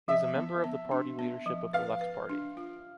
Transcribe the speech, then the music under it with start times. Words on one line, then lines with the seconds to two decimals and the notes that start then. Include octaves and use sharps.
He is a member of the party leadership of the Left party.
0.08 F3 E5
0.36 B3
0.64 B3
0.91 D4
1.19 B3
1.46 F3
1.73 B4 F5
2.01 B4
2.29 D4
2.57 F4